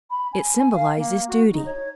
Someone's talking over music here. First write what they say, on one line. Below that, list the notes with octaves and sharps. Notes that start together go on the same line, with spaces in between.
It symbolizes duty.
B5
G#5
G#5
F5
A#3
F#4
D#4
C#5